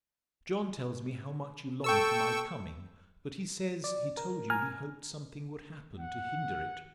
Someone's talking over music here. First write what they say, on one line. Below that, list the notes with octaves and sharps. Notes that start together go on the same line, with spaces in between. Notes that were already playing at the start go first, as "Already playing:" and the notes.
John tells me how much you long for my coming; but he says, he told you he hoped something would happen to hinder it.
A4 G5 C#6 E6
D5
A#4
G#5 A#5 F6
F#5